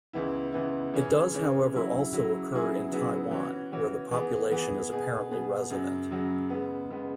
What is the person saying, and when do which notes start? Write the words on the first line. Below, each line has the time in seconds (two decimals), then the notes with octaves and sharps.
It does however also occur in Taiwan, where the population is apparently resident.
0.13 C#2 C#3 E3 B3 E4
0.53 C#2 C#3 E3 B3 E4
0.93 C#3 E3 C#4 G#4
1.32 C#3 E3 C#4 G#4
1.73 C#3 F#3 E4
2.13 C#3 F#3 E4
2.52 C#3 F#3 B3 E4 G#4
2.91 C#3 F#3 B3 E4 G#4
3.31 E3 C#4 F#4
3.72 E3 C#4 F#4
4.11 E3 B3 G#4
4.52 E3 B3 G#4
4.92 B2 B3 G#4
5.31 B2 B3 G#4
5.70 F#2 C#3 F#3
6.11 F#2 C#3 F#3
6.50 C#3 G#3 B3
6.90 C#3 G#3 B3